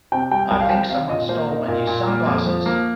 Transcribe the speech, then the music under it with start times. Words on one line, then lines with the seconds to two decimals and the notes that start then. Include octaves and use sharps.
I think someone stole my new sunglassses!
0.12 C3 G5
0.31 G3 G5
0.51 C2 G5
0.61 F5
0.70 C4 G5
0.90 C3 F5
1.09 A#2 D#5
1.29 A#3 C5
1.49 D#4 A#4
1.68 A#2 A#4
1.87 A#2
2.07 A#3
2.26 F2
2.46 F3
2.66 A#3